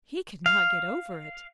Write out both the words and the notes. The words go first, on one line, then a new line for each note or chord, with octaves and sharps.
He could not get over it.
F5